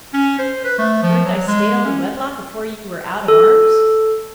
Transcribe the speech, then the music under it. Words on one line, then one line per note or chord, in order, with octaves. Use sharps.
Weren't I stale in wedlock afore ye were out of arms?
C#4
C5
B4
A3
F3
F#3
G#3
C#4
A4